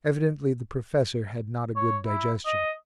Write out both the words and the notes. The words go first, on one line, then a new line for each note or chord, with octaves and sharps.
Evidently the professor had not a good digestion.
C#5
E4
D#5